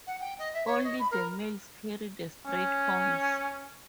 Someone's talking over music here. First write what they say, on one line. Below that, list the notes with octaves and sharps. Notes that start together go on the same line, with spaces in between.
Only the males carry the straight horns.
F#5
G5
D#5
E5
C#5
D#5
B5
A#4
C#4